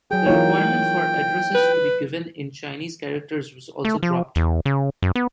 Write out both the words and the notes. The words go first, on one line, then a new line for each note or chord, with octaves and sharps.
The requirement for addresses to be given in Chinese characters was also dropped.
F#3 G#4 G5
E3 A#3 D#4 F4 C#5
B4
A3
F3
E2
C#3
F#2
B3